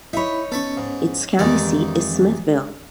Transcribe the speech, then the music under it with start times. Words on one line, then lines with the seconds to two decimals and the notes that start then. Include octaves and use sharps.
Its county seat is Smithville.
0.13 D#4 E4 C#5 E5 B5
0.52 B3 C#4 A4 B5 C#6
0.77 G#2
1.39 F2 D#3 E3 G#3 D#4 G4 D5